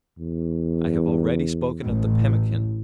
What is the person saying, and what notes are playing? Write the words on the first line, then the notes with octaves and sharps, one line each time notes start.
I have already spoken of the pemmican.
E2
A1